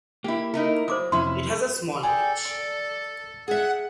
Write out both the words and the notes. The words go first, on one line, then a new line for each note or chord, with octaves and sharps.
It has a small beach.
A#3 E4 G4
D#4 E4 A#4
F#3 C5 D6 D#6
F2 C3 F#3 C#4 E4 C6
G#4 A4 D5 G5
D5
G#4 E5 F#5